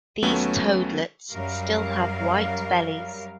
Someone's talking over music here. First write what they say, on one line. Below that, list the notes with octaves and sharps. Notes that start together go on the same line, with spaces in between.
These toadlets still have white bellies.
D#2 F#3 A3 B3 C#4
F#2 F#3 G3 A#4 F5